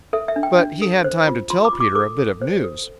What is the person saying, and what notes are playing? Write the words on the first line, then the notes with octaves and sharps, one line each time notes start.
But he had time to tell Peter a bit of news.
A4 E5
E5
D4
G5
D4
A4
C5
F4
F4 C6
D6
F4
D6
A4 D6
A4
C5
A4